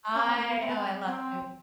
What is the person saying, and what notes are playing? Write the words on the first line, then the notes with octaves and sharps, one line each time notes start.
I Oh, I love food.
C#4
C4
A#3
B3
C4
B3
C4
C4